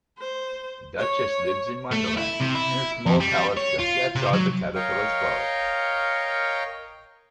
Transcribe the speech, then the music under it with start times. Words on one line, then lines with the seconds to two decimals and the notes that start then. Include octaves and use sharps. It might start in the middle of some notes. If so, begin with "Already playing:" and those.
The Duchess lives in Wonderland in a small palace just outside the Caterpillar's forest.
0.19 C5
0.99 C#5
1.91 A3
2.17 E4
2.40 C3
2.55 E4
3.06 F2
3.21 G3
3.57 C#5
3.79 F4
4.15 C3
4.33 F#3
4.75 A#4 C#5 D#5 F5 G5 C#6